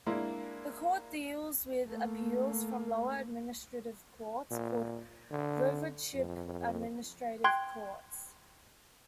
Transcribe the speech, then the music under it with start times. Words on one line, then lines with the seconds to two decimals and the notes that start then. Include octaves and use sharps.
This court deals with appeals from lower administrative courts called Voivodship Administrative Courts.
0.06 G#3 A#3 D4 E4
1.88 A3 A#3
4.51 A#2
5.31 D3
6.14 F2
7.44 G5 C6 F#6 G#6